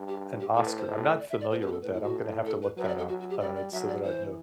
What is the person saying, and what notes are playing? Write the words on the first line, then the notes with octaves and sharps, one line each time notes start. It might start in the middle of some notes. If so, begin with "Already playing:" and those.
An oscar. I'm not familiar with that, I'm gonna have to look that up, uh, so that I know
Already playing: G2
G4
G4
A2 A4
B4
C5
A2
D5
E5
D5
B2 C5
B4
G4
A4
A2 B4
E4
F#4
A4
B4
F#3 B4
E5
D5
A4
F#3 F#4
F#4
G4
G3 D5
D5
F#3 E5
D5
E3 C5